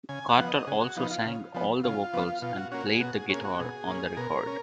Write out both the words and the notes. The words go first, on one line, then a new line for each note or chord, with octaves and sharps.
Carter also sang all the vocals and played the guitar on the record.
C#3 G#5
F#5
F3 B3
D#5
C#3 G#4
F#4
F3 B3 D#4
F4
C#3
F3 B3
C#3 F4
F3 B3
B2 F4
F#4
A#3 C#4 F#4
G#4
B2 F#4
G#4
A#3 C#4 G#4
F#4
B2 G#4
A#3 C#4
B2 A#4
C#4